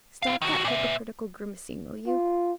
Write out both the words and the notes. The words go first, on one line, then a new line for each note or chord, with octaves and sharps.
Stop that hypocritical grimacing, will you.
E4 F5
D#3 F#4
A#2 E5
F4